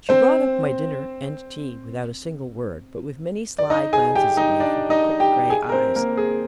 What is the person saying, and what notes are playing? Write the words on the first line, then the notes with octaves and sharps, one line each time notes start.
She brought up my dinner and tea, without a single word, but with many sly glances at me from her quick grey eyes.
C4 C5
D5
D#4 D#5
G#4 G#5
G4 G5
D#4 D#5
D4 D5
D#4 D#5
G4 G5
G#4 G#5
A#4
C4 C5
A#3 A#4
G#4